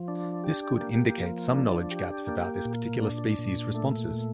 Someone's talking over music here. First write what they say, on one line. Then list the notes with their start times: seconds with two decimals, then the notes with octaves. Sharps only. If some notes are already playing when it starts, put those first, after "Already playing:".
This could indicate some knowledge gaps about this particular species' responses.
Already playing: F3
0.08 D4
0.44 G4
0.81 A#3
1.18 F3
1.54 D4
1.91 G4
2.27 A#3
2.65 A#2
3.01 D4
3.39 A#2
3.74 A3
4.11 A#2